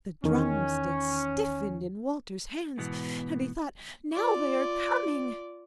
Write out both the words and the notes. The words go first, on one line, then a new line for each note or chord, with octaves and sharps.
The drumsticks stiffened in Walter's hands, and he thought now they are coming...!
E2 D#3 C#4
G#2 B2 E3 B3
F4 D5